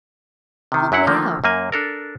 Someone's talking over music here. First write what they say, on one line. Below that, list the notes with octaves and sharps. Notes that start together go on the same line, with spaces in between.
Help me out!
C3 D#3
F#2 F#3 E4 F#5
D3 D#3 F3 A3 A#3
F#2 A#3 G#5
D4 A4 A#4